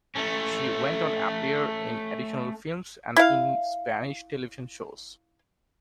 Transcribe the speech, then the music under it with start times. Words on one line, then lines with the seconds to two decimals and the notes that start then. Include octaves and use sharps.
She went on appear in additional films and in Spanish television shows.
0.16 A3 C#4
3.16 E4 F5